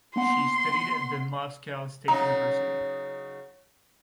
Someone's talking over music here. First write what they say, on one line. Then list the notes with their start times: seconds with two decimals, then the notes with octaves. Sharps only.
She studied at the of Moscow State University.
0.16 A#3 B3 F#5 C6
2.08 C#3 F#3 D#4 A#5